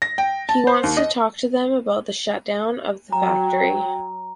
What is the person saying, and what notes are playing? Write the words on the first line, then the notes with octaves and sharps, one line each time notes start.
He wants to talk to them about the shutdown of the factory.
A#6
G5
A5
C5
D#2
D#5
F#3 G5 A#5